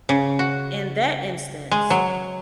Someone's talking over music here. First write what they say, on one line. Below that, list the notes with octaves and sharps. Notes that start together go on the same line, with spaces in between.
in that instance,
C#3
F#4
G#3
F#3